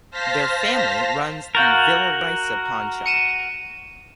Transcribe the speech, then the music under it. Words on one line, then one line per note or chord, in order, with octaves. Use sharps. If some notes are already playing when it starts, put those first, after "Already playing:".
Their family runs the Villarica Pawnshop.
C5 F5 A5 F6 A#6 B6
F#4 A#4 F5 G6 A6
C#7 D#7 E7